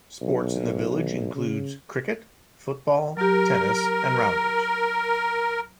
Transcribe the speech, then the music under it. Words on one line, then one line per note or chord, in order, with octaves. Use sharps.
Sports in the village includes cricket, football, tennis, and rounders.
B1
C#3
F#3 G4 A#4